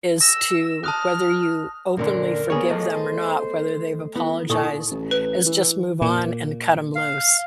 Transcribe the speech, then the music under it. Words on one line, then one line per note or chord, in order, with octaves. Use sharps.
is to whether you openly forgive them or not, whether they've apologized, is just move on and cut 'em loose.
E6 A#6
A5 D#6 F6 F#6
F#2 A#2 D3 A#4
A#3 B3 G#4 C#5
F2 F3 G#3 A3 D#5 A5
C5
B3 E4
A#2 D#4 A4 C#6 D#6
A1
B4
E3
A#2
F5